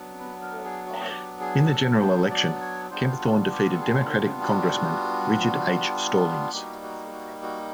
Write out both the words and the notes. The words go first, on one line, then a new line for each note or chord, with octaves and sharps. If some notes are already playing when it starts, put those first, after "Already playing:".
In the general election, Kempthorne defeated Democratic Congressman Richard H. Stallings.
Already playing: F#3 B3 D4
B4
A#4
G#4
F#4
F#4
G4
G#4
A4
C5
D5
C#5
G3 B3 D4 F4 C5
F#4
G4
A4
G#4
F#4
G3 A#3 D#4 F#4 G4
F#4
F#4
F#4